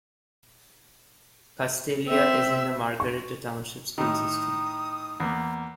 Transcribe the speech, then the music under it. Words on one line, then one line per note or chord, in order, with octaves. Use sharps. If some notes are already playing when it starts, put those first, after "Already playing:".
Castalia is in the Margaretta Township school system.
C4 E5
C#6
A2 D#3 D#6
E2 A#3